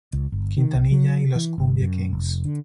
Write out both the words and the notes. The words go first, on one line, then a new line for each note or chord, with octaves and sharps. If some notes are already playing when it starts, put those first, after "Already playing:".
Quintanilla Y Los Kumbia Kings.
C#2
G1
D#3
B1
F#3
E3
G1
F#2
F1
D3